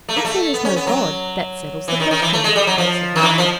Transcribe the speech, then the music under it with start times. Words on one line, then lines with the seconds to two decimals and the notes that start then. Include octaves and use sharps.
"If there is no God, that settles the question," answered Mary.
0.09 A3
0.17 A#3
0.25 A3
0.54 B3
0.65 C#4
0.76 B3
0.87 F#3
1.88 E3
2.00 D#3
2.11 D#3
2.22 E3
2.33 A3
2.44 G#3
2.56 G3
2.67 F#3
2.78 F3
3.16 D#3
3.23 E3
3.38 F3